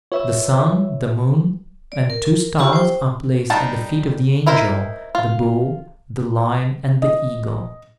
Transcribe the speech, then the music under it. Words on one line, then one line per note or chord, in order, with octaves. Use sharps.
The sun, the moon, and two stars, are placed at the feet of the Angel, the Bull, the Lion, and the Eagle.
F4 B4 C#5 E5 E6
D5
A#4
F4 G4 C#6 E6
C5 G5
G3 D4 D#4 A5
D#4 E4 A#4 C5
F4
D#5